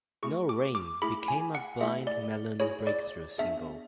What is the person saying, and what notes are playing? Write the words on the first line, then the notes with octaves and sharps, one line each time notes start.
"No Rain" became Blind Melon's breakthrough single.
A3 E4 G#4 C#6
D6
D6
A3 E4 G#4 B5
G#5
F#5
A3 E4 G#4 E5
D5
A3 E4 G#4 C#5
D5
B3 D4 G#4 E5